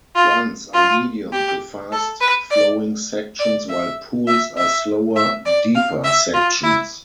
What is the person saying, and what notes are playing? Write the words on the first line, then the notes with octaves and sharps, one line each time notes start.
Runs are medium- to fast-flowing sections while pools are slower, deeper sections.
F4
F4
G4
A4
B4
D5
D5
E5
E5
E5
E5
D5
F5
E5
F4
E4